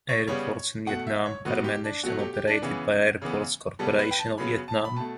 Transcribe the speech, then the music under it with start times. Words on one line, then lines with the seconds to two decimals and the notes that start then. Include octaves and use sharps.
Airports in Vietnam are managed and operated by Airports Corporation of Vietnam.
0.09 C#5
0.27 C#3 G3 B3 C#5
0.86 B2 A3 F#5
1.07 E5
1.26 C#5
1.45 A2 F#3 B3 F#4
1.64 G4
1.84 D4
2.03 B2 F#3 A3 F#4
2.19 G4
2.34 G4
2.47 D4
2.62 C#3 E3 B3 C#4
3.22 C#3 E3 B3
3.79 C#3 G3 B3 A4
3.99 B4
4.11 G5
4.19 A5
4.38 C#3 F#3 B3 B5
4.68 A5
4.85 B5
4.96 B2 A3 A5